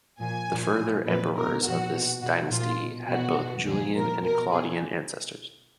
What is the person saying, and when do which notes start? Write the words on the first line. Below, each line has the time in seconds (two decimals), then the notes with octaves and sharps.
The further emperors of this dynasty had both Julian and Claudian ancestors.
0.20 A#2 F3 G#5
0.49 A#2 F3
0.77 A#2 F3
1.06 A#2 F3 B4
1.35 B2 A#4
1.64 A#2 F3 F#4
1.92 B2
2.21 B2 F#4
2.50 A#2 F3 F4
2.79 B2
3.08 B2 F#4
3.36 B2
3.66 A#2 F3 G#4
3.94 A#2 F3 A#4
4.23 B2 A#4
4.52 B2 G#4